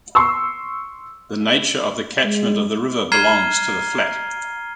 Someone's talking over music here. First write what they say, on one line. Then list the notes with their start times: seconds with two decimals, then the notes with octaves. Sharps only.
The nature of the catchment of the river belongs to the flat.
0.15 C6 C#6 E6
2.24 G#3
3.12 A#5 F6 G#6 C7 D#7 G7